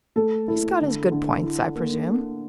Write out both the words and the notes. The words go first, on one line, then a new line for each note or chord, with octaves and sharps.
"He's got his good points, I presume."
A3 A4
E4 A4
D3
D3
E4
A#3